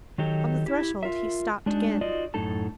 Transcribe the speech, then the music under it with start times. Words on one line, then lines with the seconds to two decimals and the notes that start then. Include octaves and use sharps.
On the threshold he stopped again.
0.18 D#3 F#3 D#4 G4 A4
0.66 E4 G4
1.03 F4 A#4 E5
1.66 G#3 D4 D#4 F#4
2.01 D#4 F4 F#4 D5 D#5
2.34 F#2 A2 D#4 A4 A5